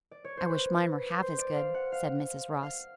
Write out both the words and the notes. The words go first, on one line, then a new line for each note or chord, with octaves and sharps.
"I wish mine were half as good," said Mrs. Ross.
D5
C#5
C5
B4
C5
D5
F5
F#5
F5
F5